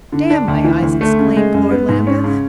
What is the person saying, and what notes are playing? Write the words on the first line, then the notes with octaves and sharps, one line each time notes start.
"Damn my eyes!" exclaimed Lord Lambeth.
D3
D4
D2
E3
D2
A3
C#3
G#3
F#2
B3
G#2
C#4
C#3